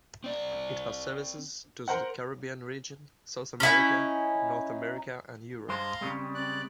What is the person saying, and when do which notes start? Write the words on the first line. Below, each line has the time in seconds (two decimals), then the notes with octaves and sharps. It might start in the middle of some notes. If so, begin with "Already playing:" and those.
It has services to the Caribbean region, South America, North America and Europe.
0.24 C4 D5
1.88 A#4 C5 F#5
3.60 C#4 D#4 E4 G#5
5.69 G2 G#3 C5 F5 A#5 C6
6.01 C#3 G3 G#3 C4
6.35 C4 D5 F#6